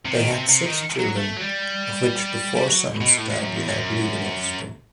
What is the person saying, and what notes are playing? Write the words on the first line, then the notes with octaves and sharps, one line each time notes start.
They had six children of which the four sons died without leaving offspring.
C3
D#3
C3
C3
D#3
F#3
A3
F#3
G3
G3
F#3
B2
A2
A2
F#2
E2
F#2